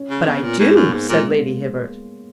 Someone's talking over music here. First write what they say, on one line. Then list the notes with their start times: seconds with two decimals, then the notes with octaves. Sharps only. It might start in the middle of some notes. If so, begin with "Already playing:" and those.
"But I do," said Lady Hibbert.
Already playing: C#4
0.10 C#3
0.22 D#3
0.26 C#3 B3
0.43 A#2
0.59 G#2 G#3
0.76 F#2 A#3
0.89 A#3
0.92 G#2 B3
1.09 A#2 G#3